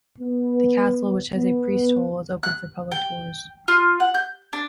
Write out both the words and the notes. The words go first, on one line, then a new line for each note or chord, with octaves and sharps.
The castle, which has a priest hole, is open for public tours.
B3
B3
F#6
G5
F4
F#5
G6
D4